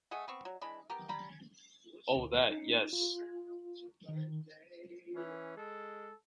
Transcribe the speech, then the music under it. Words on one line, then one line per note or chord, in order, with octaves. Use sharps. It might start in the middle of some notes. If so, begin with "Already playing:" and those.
Oh, that, yes.
A3 G#4 D#5 F#5
B3 C4 C#6
F#3
E3 G#3 D4 B5
B3 G4 A#4
G3 A#5 B5
D2
D#4
F4
D#3
E3 C#4
G#3 A4